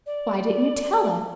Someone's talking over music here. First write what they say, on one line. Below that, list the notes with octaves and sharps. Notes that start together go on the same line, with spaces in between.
Why didn't you tell us?
D5